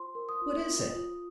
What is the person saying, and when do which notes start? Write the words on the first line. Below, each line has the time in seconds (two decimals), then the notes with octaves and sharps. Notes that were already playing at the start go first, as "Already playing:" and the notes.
"What is it?"
Already playing: F4 C5 C6
0.15 A#4
0.29 D#6
0.42 F4
0.68 F4
0.95 F4